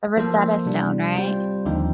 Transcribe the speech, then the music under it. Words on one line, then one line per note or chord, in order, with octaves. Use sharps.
the Rosetta Stone, right?
F3 A#3 F4 A4 C5
C3 G3 D4
G3 C4 F4 C5
D#2 D3 F3 C4 D#4